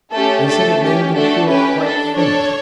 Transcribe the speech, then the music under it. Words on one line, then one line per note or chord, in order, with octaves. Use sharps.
They said it made them feel quite faint.
A3 C#4 G4 A4
A3 D4 A4
C#4 G4
A3 D4 F#4 A4
C#4 G4 B4
D4 A4
D4 A4 C#5